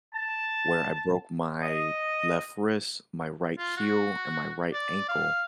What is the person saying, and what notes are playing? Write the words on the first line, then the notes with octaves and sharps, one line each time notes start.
where I broke my left wrist, my right heel, and my right ankle,
A5
D#5
F4
F#4
D5
F5